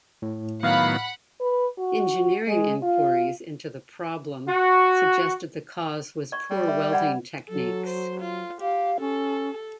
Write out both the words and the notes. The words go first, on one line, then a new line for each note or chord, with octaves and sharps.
Engineering inquiries into the problem suggested the cause was poor welding techniques.
A2
D#3 F#3 B3 F5 F#5 B5
B4
F#4
G#3
F4
F#4
D5 C#6
G3
E5
D5 F#5 B5
F#3 A4
C5
F4
G4 F5
C#4 A4